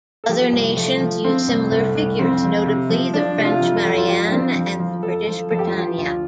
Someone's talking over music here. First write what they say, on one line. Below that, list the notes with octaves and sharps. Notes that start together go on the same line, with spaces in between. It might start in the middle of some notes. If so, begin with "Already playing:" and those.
Other nations used similar figures, notably the French Marianne and the British Britannia.
A4
F3 G4
C2
F3 A3
F3
F3 C4
C2
C2 A3
C2
F2 C4
F2
C3
F3
F3 D4
C3
F4
F2
A4
F2
F4
F2 G4
D4
F3 C4
F2
F3
F2 A4
F3
F2 A4
G4
F4
F3 G4
D2 F4